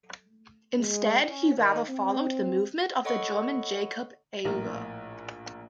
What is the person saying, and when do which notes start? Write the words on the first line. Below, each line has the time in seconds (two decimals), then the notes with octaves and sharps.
Instead, he rather followed the movement of the German Jakob Ayrer.
0.79 G#3
1.28 C#4
1.58 D#3
1.89 C4
3.05 A4 C#5 D#5 F#5 B5 C#6
4.45 A#1 A2 A#4